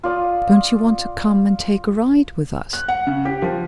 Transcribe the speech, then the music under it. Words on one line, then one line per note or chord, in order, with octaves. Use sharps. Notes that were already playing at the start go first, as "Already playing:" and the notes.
"Don't you want to come and take a ride with us?"
F4 D5 D6 D#6
F#6
F#5
C#3
G4
F3